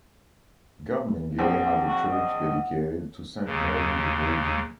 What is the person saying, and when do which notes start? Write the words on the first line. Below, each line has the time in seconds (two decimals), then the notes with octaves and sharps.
Gamlingay has a church dedicated to Saint Mary the Virgin.
1.39 A#1 C4 G#4 F#5
1.88 F#4
2.12 D#5
3.45 D#2 C#3